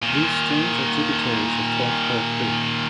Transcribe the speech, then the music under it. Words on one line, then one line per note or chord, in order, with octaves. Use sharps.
These streams are tributaries of Twelvepole Creek.
A#2 D#3